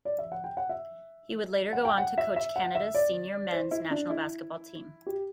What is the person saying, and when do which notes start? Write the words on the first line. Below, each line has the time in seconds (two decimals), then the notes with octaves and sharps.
He would later go on to coach Canada's senior men's national basketball team.
0.05 D5
0.19 E5
0.32 F#5
0.44 G5
0.57 F#5
0.69 E5
1.73 F#5
1.85 G5
1.98 F#5
2.18 E5
2.36 E5
2.56 F#5
2.75 E5
2.94 D5
3.52 C5
3.71 E4
3.90 D4
4.10 E4
5.06 G4